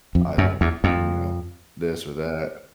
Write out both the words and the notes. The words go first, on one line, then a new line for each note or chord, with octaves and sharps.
I don't you know, this or that."
F2
F#2
E2
F2